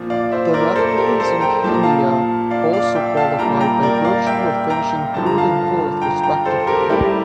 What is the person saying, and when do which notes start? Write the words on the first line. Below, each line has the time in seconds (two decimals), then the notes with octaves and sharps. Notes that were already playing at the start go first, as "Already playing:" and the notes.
The Netherlands and Kenya also qualified by virtue of finishing third and fourth respectively.
Already playing: A#2 F3
0.10 D5 F5
0.32 C5 E5
0.54 A#4 D5
0.76 A4 C5
0.97 G4 A#4
1.20 A4 C5
1.41 G5 A#5
1.64 A#2 F3 A5
1.74 A#5
1.83 F5 A5
2.51 D5 F5
2.73 D5 F5
2.95 E5 G5
3.17 F5 A5
3.39 A#2 G3 G5 A#5
3.60 G5 A#5
3.83 A#4 D5
4.05 D5 F5
4.26 E5 G5
4.70 G5 A#5
5.14 G2 D3 F3 A5
5.26 A#5
5.38 F5 A5
6.02 G5 A#5
6.23 G5 A#5
6.45 A4 C5
6.67 G4 A#4
6.89 A2 G3 E4 G4